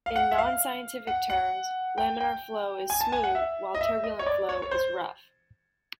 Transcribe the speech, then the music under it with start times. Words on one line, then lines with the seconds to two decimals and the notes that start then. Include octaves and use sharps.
In non-scientific terms, laminar flow is "smooth" while turbulent flow is "rough".
0.06 F5
0.16 F#5
0.31 E5
0.38 F5
1.07 F#5
1.30 F#5
1.98 G5
2.20 G5
2.90 G#5
3.01 A5
3.12 G#5
3.24 F#5
3.35 E5
3.75 D#5
3.81 E5
4.04 D#5
4.19 C#5
4.26 D5
4.49 C#5
4.62 C#5
4.71 C5